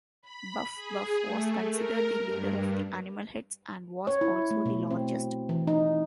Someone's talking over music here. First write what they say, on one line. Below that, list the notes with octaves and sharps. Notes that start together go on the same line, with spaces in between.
Buff-Buff was considered the leader of the animal heads and was also the largest.
B5
G#4
A3
A#4
G2
C#5
E4
A3
B2
C4
E3
D#4